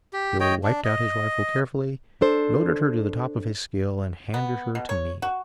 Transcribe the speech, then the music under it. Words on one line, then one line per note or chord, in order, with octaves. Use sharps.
Billy wiped out his rifle carefully, loaded her to the top of his skill, and handed her to me.
G4
C#5 D#5 G5
D4
D#5
D4 A4 C5
B3
B2
C#5
F#4